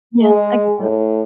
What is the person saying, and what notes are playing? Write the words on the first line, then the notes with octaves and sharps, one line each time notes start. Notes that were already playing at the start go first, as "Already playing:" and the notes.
Yeah, I get that.
G#3
A2